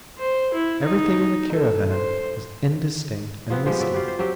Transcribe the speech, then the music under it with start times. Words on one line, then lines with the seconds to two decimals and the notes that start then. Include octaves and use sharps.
Everything in the caravan was indistinct and misty.
0.18 C5
0.53 E4
0.83 D#4
1.52 A4
1.90 C5
3.50 F3 B3 C4
3.66 F3 G3 G#3 G4
3.79 F#3 D5 E5
3.92 F4 G4 B4
4.08 C5
4.19 F#3 C4 G4